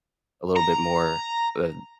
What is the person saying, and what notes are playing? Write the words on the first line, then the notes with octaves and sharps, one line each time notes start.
a little bit more, uh,
A#5